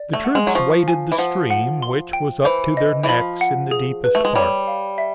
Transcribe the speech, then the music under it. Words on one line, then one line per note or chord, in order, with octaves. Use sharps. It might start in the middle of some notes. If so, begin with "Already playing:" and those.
The troops waded the stream, which was up to their necks in the deepest part.
Already playing: D5
A3
F#5
G#3
F#3
F3 C#6
G#5
E3
F3 F#5
F#5
C6
G5
E3 C5
D#5
E3
F3 B5
F#5
G#4
B4
A3
G#3
G3 C#5
F5
E5